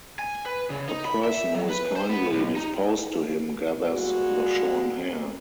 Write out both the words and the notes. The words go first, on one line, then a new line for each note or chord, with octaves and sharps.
A person who is kindly disposed to him gathers the shorn hair.
G#5
B4
C#3
D#4
B5
E5
F#3
B4
C5
B3
B1
D#4
G3 G#3 A#3 F#4